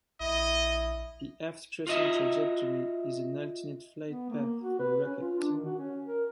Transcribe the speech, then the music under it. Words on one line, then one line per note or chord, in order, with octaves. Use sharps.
The aft-crossing trajectory is an alternate flight path for a rocket.
A#1 E4 D#5
F4 F#4 D#5 E5
B3
A#3
F#4
B4
C#4
F4
D4
D#3
F#4
C#4
A#4